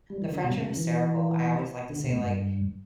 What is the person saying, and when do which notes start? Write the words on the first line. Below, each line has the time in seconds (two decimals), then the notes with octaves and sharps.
the French are hysterical. I always like to say, like,
0.10 G3
0.22 E3
0.32 D3
0.44 B2
0.55 C#3
0.77 E3
1.90 D3
2.04 B2
2.12 A2
2.20 G2